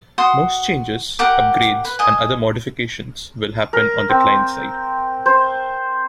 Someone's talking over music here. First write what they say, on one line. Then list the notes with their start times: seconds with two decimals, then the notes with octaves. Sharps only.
Most changes, upgrades, and other modifications will happen on the client side.
0.18 F#4 C6 D#6
1.19 G4 A#4 F#5 D6
1.85 B4
1.99 D#5 G#5
3.73 A#4
4.09 C4
5.26 C5